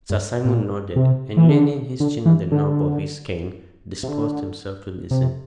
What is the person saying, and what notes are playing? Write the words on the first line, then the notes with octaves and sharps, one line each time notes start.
Sir Simon nodded, and, leaning his chin on the knob of his cane, disposed himself to listen.
G2
A#2
C3
E3
D3
D3
E3
D3
C3
D3
C3